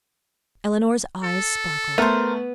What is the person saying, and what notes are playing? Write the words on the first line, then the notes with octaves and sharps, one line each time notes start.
Eleanor's eyes sparkled.
A4
A3 B3 A#4 C5